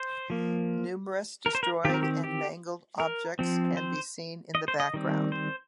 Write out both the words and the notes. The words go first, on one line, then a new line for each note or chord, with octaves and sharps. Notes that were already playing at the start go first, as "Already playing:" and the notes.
Numerous destroyed and mangled objects can be seen in the background.
Already playing: C5
F3 A#3
A#4
C5
A#4
D#3 C4 G4 A#4
G4
G4
A#4
F3 C4
C5
D#5
C5
D#5
D#3 G3 C4
C5